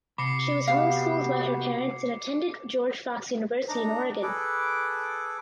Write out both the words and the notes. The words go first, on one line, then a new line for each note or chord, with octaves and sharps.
She was home schooled by her parents and attended George Fox University in Oregon.
C3 B5 D6 C7 C#7
B3 F#4 G4 F5
D4 D#4 A#5
G#4 A4 B4 D6